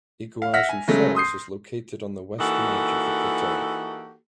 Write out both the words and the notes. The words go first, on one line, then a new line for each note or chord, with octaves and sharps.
Iguazu Falls is located on the western edge of the plateau.
F5
E5 F#5 F6 A#6 B6
G#5
C#3 F#3 G#3 A3
C6 D#6 G6 C7
E3 A#3 D#4 F#4 G4 A4